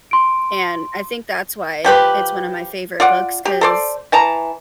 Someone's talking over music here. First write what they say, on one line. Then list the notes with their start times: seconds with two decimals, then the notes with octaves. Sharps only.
And I think that's why it's one a my favorite books 'cause
0.11 C6 D7
1.84 F3 G4 B4
3.00 F4 D5 F#5
3.45 G4
3.61 A4 C5 D5
4.12 E3 A5 A#5